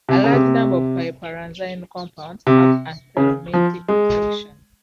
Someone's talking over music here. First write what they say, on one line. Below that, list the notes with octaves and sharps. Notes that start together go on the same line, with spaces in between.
A large number of piperazine compounds have anthelmintic action.
C3
C#3
C3
C3
C#3
F3
G#3